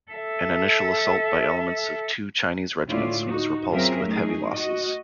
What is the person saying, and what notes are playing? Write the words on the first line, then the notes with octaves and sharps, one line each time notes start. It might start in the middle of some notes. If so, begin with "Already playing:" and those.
An initial assault by elements of two Chinese regiments was repulsed with heavy losses.
A4 E5
D2 A2 E4 F4 C#5 D5
D#4 F#4
F#2 C4 F4 G#4 A#4 E5
A3 D#4 G#4
F#4 D#5